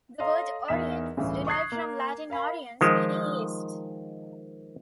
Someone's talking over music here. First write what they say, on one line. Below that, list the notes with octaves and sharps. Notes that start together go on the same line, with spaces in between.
The word "orient" is derived from Latin "oriens", meaning East.
A4 C#5 D#5 F5 A#5 C6
E2 D#4 A#4 E5 B6 E7
G1 C#2 A2 C#3 E3
C#6 D#6 F#6 G#6 C7
A#3
A#4 F5 B5
D#3 F3 G#3